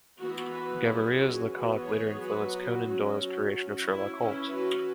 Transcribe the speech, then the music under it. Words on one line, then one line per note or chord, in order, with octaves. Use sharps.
Gaboriau's Lecoq later influenced Conan Doyle's creation of Sherlock Holmes.
E3 B3 F#4
F#4 B4
F#3 C#4 E4 G#4
F#4
E3 B3 F#4 B4
G#4 C#5
F#3 B3 F#4 B4
F#4
F#3 C#4 F#4
F#3 C#4 F#4
E4
E3 C#4 E4
F#4 B4